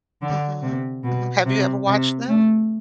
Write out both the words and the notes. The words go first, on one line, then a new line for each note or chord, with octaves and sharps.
Mhm. Mhm have you ever watched them?
D3
C3
B2
C3
C3
A3